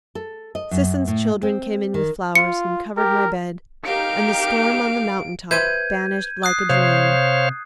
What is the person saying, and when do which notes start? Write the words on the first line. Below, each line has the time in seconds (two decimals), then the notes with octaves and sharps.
Sisson's children came in with flowers and covered my bed, and the storm on the mountaintop banished like a dream.
0.15 A4
0.55 D#5
0.71 F#2
1.08 A2
1.43 C4
1.94 D#3
2.35 F4 C#7
2.97 G4 A#4
3.86 D#4 G4 A#4 F5 D7
5.51 B4 C5 E5 G6 G#6 D#7
6.43 D#6 F#6 C7
6.69 C3 C5 C#5 F5